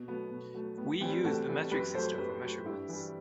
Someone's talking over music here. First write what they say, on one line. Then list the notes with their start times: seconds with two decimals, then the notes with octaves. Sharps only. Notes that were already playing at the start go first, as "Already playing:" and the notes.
We use the metric system for measurements.
Already playing: B2
0.08 F#3 A3 B3
0.31 B2
0.54 F#3 A3
0.77 A2 B3
1.01 E3 C4
1.05 G3
1.24 A2 F#4 A4
1.49 E3 G3
1.71 F#2 G4 B4
1.94 A3 A4 C5
1.98 F#3
2.18 F#2 G4 B4
2.43 F#3 A3
2.65 G2 E4 G4
2.89 E3 G3